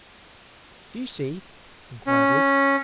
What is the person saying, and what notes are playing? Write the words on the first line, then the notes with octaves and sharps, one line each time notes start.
Do you see?' inquired Luke.
C#4